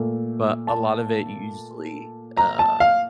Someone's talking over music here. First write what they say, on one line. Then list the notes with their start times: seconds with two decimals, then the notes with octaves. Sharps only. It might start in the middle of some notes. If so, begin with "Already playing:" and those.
but a lot of it u usually, uh
Already playing: A#2 A3
0.67 A5
2.37 A#5
2.59 A5
2.80 F5